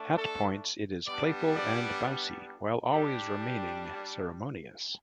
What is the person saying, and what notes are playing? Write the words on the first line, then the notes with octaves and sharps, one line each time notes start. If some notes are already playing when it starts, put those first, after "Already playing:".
At points it is playful and bouncy, while always remaining ceremonious.
Already playing: A3 D4
A4
G3 B3 D4 D5
D5
G3 D4 G4 A4
G4